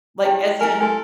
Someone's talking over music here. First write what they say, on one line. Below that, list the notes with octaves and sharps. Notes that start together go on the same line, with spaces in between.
Like, as in
E4 G4 G5
E4 A#4 G#5
A4 G#5 C6